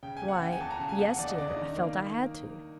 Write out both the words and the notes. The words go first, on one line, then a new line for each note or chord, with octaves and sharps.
'Why--yes, dear--I felt I had to.'
C#3 G5
G#5
E2
F#5
C#3 G5
G#5
E2 A5
A#5
C#3 A5
G#5
E2 F#5
F#5
E2 D5
D#5
C#3 D5
D#5
D#3
A#3